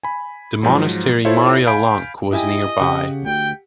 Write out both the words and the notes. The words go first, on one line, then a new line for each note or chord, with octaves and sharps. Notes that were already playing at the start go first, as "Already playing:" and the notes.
The monastery Maria-Lonk was nearby.
G#5 B5
G#2 F3 F#3
E4 F4 A4 C5 C#5 E5
F5 G#5 B5 G6 D7
E4 G4 D#5 G#5
C#3 G4 F#5
D2 G5